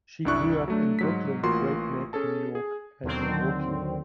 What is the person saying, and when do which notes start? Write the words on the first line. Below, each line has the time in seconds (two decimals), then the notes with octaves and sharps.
She grew up in Brooklyn, Great Neck, New York, and Milwaukee.
0.25 C2 F#2 D4 E4 C#6 F#6
0.68 F#3 A3 D4
0.99 G#2 F#3 B6
1.43 A1 A#3 F4 F#4 C6
2.13 C#4 G#4 A4 A5
2.55 G#4
3.03 D#2 D3 D#3 F#3 C4